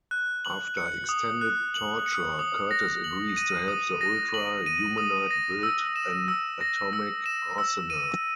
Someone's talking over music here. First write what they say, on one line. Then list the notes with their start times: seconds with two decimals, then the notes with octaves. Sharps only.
After extended torture, Curtis agrees to help the Ultra-Humanite build an atomic arsenal.
0.11 F#6
0.45 F#7
0.77 C#7
1.09 D#6
1.41 F#6
1.74 F#7
2.06 C#7
2.39 D#6
2.71 A#6
3.04 F#7
3.37 D#7
3.68 D#6
4.01 A#6
4.34 F#7
4.66 D#7
4.98 D#6
5.31 A#6
5.63 E6
5.96 E7
6.28 E6
6.61 A#6
6.93 E6
7.26 E7
7.58 E6
7.90 D#7